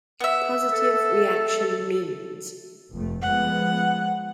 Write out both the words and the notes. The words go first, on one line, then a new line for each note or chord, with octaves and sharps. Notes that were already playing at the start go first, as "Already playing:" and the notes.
Positive reaction means.
B3 E5
A4
F1 F2 A3
F3 G#3 B3 F#5